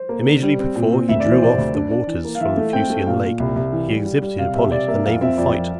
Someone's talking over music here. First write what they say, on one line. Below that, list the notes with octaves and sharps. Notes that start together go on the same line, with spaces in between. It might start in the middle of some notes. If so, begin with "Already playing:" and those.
Immediately before he drew off the waters from the Fucine lake, he exhibited upon it a naval fight.
Already playing: C5
A#3
D3
G3
C4
A#2
C4
D2 E5
D5
E3
C5
C3 D5
D2
D4
D4
E3
A#3
F5
E3 E5
A3
C4 G5
A3
A#2 F5
A#2
C2
C2
E3
G3
G3
G3
C3 F5
C3 E5
C3 D5
A#3 E5
F2 F5
C4 E5
F2 D5
F3